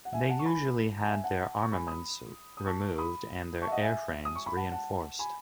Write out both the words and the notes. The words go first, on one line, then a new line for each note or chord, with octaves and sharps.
They usually had their armaments removed and their airframes reinforced.
F#5
E5 G#5
F#5 A5
C#6
G#5 B5
A5
E5 G#5
F#5 A5
C#6
G#5 B5
B5 D#6
D#6
A5 C#6
B5 D#6
A5 C#6
E5
D#5 F#5
E5 G#5
D#6
C#6
B5
F#5 A5
F#5 A5
G#5 B5